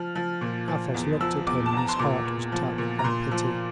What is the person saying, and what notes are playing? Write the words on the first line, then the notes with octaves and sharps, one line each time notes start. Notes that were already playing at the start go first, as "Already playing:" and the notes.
Athos looked at him, and his heart was touched by pity.
Already playing: F3 F6
F3
A#2
F3
E2
F3 E6
E2 D6
A5
E2 A#5
C6
A#2 D6
A#2
F3
A#2
A#5
A#2 C6
F3